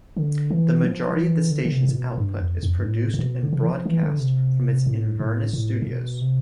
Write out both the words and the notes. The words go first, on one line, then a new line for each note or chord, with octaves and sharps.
The majority of the station's output is produced and broadcast from its Inverness studios.
D3
E3
F3
E3
D3
D3
C3
A2
B2
G2
F2
F2
G2
A2
A2
B2
D3
C3
E3
F3
E3
D3
C3
A2
A2
A2
A2
B2
C3